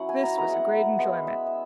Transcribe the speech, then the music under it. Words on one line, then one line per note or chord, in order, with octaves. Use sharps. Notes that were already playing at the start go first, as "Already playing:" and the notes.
This was a great enjoyment.
Already playing: F#3 C#4 E4 F#5
G#5
A#5
G#3 B3 E4 A#5
F#5
G#3 B3 E4
E5
E5